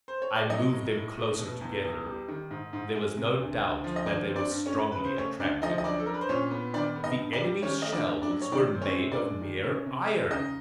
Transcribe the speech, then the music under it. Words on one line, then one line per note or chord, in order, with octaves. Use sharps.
I moved them closer together; there was no doubt that they were strongly attracted. The enemy's shells were made of mere iron!
C5
C#5
D5
F#3 D#4 D#5
A2
A2
A3
B2
E2
E2
G3
D#3
G#2
G#2
G#3
C3
D2
D2
F3
D#5
D#3 D4 D5
C4
D4 D5
G2
C#4 C#5
G#3
C#3 B4
C5
A3 C#4 C#5
D2 D4 D5
F3 D#4 D#5
D#5
F#3 D4 D5
A4
D4 A#4
B4
C5
A#2 C#4 C#5
B3
D#3 D4 D5
B3
D#4 D#5
G2
D4 D5
G3
D#3 C#4 C#5
A3 D#5
D4 D5
G2
D4 D5
F#3
C#5
D#3 D4 D5
C4
C#4 C#5
F#2
D4 D5
G#3
D#3
C#4
C3
G#3
C#3 D#4 D#5